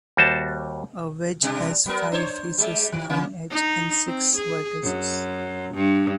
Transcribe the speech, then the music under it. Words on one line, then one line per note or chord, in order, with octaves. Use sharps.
A wedge has five faces, nine edges, and six vertices.
D#2 G3 F#4 C5 A5
B2 G3 D4
F#3 B3 A#4
D4 C5 C#5
G3 G#3
D#3
C#3 A#3 C#4
D#4
C4
G#4
F#2
G2